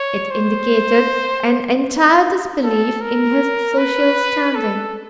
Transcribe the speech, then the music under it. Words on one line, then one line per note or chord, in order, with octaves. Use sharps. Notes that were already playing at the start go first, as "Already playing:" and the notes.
It indicated an entire disbelief in his social standing.
Already playing: C#5
C5
A4
A#4
B4
A4